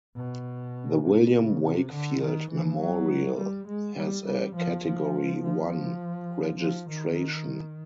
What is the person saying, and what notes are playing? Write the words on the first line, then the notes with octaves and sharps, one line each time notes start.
The William Wakefield Memorial has a Category One registration.
B2
C3
C#3
C3
D3
D#3
E3
F#3
G3
G#3
G3
G3
F3
F3
F3
F3
D#3